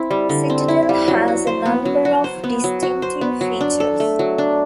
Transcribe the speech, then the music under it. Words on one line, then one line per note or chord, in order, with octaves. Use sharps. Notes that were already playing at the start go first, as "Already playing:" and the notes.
"Citadel" has a number of distinctive features.
Already playing: C4 E4
G3
D3
C4
E4
G3
F#3
F#4
C5
B3
F#3
F#4
C5
B3
F#3
F#4
C5
B3
F#3
D4
A4
A3
F#3
D4